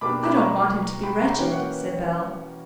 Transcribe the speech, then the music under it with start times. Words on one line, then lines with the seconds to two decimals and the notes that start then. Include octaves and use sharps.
"I don't want him to be wretched," said Bell.
0.01 B2 A#3 D4 G4 B5 D6
0.29 B5
0.36 A#5 C#6
1.04 G5 B5
1.21 F#5 A#5
1.38 E3 A#3 C#4 F#4 G5
1.52 F#5